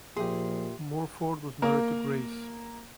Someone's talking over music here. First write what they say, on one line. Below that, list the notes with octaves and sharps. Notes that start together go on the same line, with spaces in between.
Morford was married to Grace.
A#2 F3 G4 G#4 E5 C6
A#3 A#4